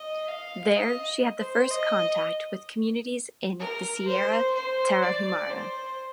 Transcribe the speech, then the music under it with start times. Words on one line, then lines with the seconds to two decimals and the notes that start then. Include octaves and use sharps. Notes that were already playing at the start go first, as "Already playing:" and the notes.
There she had the first contact with communities in the Sierra Tarahumara.
Already playing: D#5
0.28 F5
0.76 D#5
1.39 C5
1.71 D#5
3.59 A#4
4.07 C5
4.55 C5
5.02 D5
5.50 C5